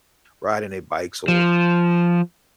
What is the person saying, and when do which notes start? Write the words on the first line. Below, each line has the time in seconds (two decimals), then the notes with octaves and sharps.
riding their bikes or,
1.28 F3